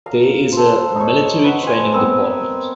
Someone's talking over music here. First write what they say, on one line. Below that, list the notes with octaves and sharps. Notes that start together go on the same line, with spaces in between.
There is a "military training department".
F5 A#5
A4 C5
D#4 C#5
B4 F#5
C5 G#5
B3 C4 A#4